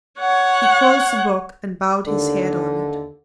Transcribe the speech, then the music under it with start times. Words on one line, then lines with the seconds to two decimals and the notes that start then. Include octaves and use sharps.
He closed the book and bowed his head on it.
0.20 C#5 F#5
2.06 D#2 D3